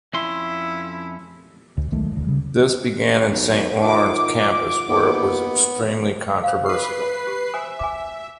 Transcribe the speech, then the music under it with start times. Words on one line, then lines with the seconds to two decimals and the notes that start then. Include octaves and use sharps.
This began at the Saint-Lawrence campus, where it was extremely controversial.
0.14 F2 C#4 E4 C6
1.77 D2
1.92 B1 D#3 G#3 A3
2.12 E1 D2
2.27 C#3 G3
3.32 B1
3.82 D#3 F4 E5 F#5 D6
4.89 D#2 B3
6.44 C5 F5
6.66 B4 C7
7.27 G4 G#4
7.54 C5 E5 G#5 D#6
7.79 G#5 D6